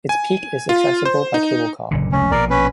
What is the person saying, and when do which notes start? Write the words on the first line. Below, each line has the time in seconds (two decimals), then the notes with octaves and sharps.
Its peak is accessible by cablecar.
0.09 G#5
0.69 F4
1.05 C5
1.34 D#4
1.91 F#1 A#2 D3
2.12 F1 C#2 C#4
2.31 A#1 B2 A#4 D5
2.50 C#4 B4